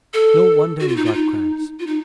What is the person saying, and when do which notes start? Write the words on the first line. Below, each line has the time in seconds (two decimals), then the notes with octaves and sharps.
"No wonder you got cramps."
0.14 A4
0.80 F#4
0.88 F4
0.96 D#4
1.05 F4
1.14 D#4
1.79 F4
1.87 D#4